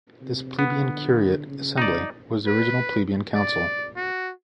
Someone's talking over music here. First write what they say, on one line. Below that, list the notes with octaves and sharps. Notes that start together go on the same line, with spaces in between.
This "Plebeian Curiate Assembly" was the original Plebeian Council.
C3
D3 B3
C#3
D#4 D5
B4
D5
F#4